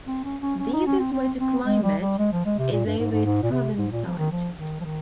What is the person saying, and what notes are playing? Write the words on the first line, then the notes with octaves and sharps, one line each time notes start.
The easiest way to climb it is over its southern side.
C4
C#4
C#4
C#4
D#4
C#4
C4
C4
C4
G#3
G3
G3
G#3
F3
G#3
C3
A#2
G2
G#2
G#2
G#2
A#2
C3
G#2
A#2
F3
D#3
F3
D#3
F3
D#3